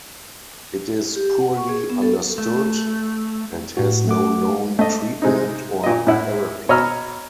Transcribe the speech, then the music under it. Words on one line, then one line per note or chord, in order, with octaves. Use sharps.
It is poorly understood and has no known treatment or therapy.
G4
F#5
C#6
G#4
B3
A4
A3
A2 F#4
A3 F#5 D6
A3 D#5
C3 G#3 C4 D#4
A#2 D#5
A2 E4 F#5
B2 C#5 D#5 A#5 E6 F6